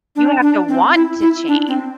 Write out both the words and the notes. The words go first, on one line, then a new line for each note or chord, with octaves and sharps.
You have to want to change.
D4
D4
C4
E4
E4
D4
C4